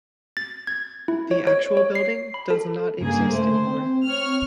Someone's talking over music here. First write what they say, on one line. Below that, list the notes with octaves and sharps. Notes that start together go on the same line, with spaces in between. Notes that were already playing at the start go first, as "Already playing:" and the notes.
The actual building does not exist any more.
A6
G#6
E4
C#5
C#5
C#5
C7
B5
A4
G2 C#3 A#3 G#4
A3 C5
C4
C#5 F6